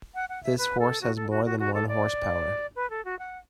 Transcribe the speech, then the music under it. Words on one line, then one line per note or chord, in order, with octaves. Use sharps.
This horse has more than one horse power.
F#5
F#5
E5
B4
A4
F#4
A4
F#4
F#4
F#4
A4
D5
B4
A4
F#4
F#5